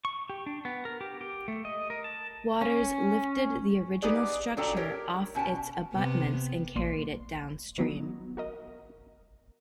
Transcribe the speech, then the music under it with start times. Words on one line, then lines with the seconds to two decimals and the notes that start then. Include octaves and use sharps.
Waters lifted the original structure off its abutments and carried it downstream.
0.05 C#6
0.30 G4
0.46 D4
0.65 B3
0.85 A#4
1.01 G4
1.21 G4
1.48 A3
1.65 D#5
1.90 A#4
2.04 A5
2.61 C#4
4.02 B3 D#4 G4 G#4 B4 D5
4.57 A#2 F#3 D4 A4 G5 A#5
4.76 G4 A#4 C#5
5.35 B2 C#4 G5 A5
5.93 C3 B3
6.75 A#1 A#3 D5 C6
7.78 D#3 F#3 B3 D#4
8.37 F#4 A#4 D#5